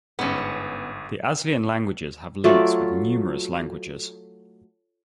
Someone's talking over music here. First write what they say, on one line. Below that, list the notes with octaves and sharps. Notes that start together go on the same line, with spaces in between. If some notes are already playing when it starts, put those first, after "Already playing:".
The Aslian languages have links with numerous languages.
G1 G#2 B3 C#4
F#3 A3 F4 D5